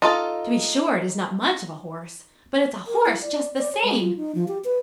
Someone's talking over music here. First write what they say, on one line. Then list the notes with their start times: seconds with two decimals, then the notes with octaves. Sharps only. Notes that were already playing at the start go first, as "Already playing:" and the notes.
To be sure, it is not much of a horse; but it's a horse just the same.
0.02 D#4 F4 A4
2.87 A#4
3.06 E4
3.22 D5
3.58 D5
3.72 C#5
3.84 G#3
4.00 F4
4.17 D#4
4.35 F3
4.48 G4
4.64 B4